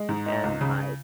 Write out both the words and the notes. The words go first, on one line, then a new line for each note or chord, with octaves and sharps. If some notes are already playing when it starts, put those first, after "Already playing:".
and I
Already playing: G#3
G#2
D#4
C#2
C#3